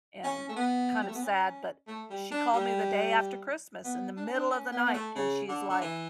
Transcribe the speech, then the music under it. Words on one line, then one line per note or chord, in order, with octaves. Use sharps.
and kind of sad, but, she called me the day after Christmas in the middle of the night and she's like,
C#4
A3
B3
G3
A3
B3
C#4
A3
G3
D4
G3
B3
D4
C#4
D4
C#4
B3
B3
A3
C#3
D3
D3
E3